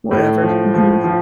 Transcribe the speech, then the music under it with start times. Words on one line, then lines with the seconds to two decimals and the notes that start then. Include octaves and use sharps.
whatever, mhm.
0.11 A2
0.42 F3
0.74 F3
1.04 F3